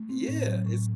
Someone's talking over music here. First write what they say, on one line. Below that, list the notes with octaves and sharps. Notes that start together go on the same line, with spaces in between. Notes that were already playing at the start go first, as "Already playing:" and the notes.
Yeah, it's
Already playing: A3
C4
A2
F#3
A2